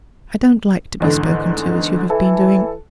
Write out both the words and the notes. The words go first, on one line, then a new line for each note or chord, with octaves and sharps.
I don't like to be spoken to as you have been doing.
E2 G#2 D3
E3 A4